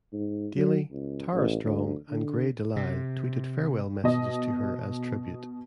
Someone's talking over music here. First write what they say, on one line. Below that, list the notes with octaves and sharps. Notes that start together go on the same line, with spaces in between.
Daily, Tara Strong, and Grey DeLisle, tweeted farewell messages to her as tribute.
G#2
F#3
C#2
A1
D2
D3
C3
B2 D#5